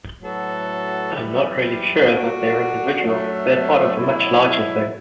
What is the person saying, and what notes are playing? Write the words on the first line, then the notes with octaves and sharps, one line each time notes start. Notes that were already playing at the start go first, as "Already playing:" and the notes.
I'm not really sure that they're individuals: they're part of a much larger thing.
A2 F#3 B3 F#4 A4
F#2 E3 G3
G3 D4 F#4 A4
F#2 F#3 A3 D4
B2 F#3 A3 E4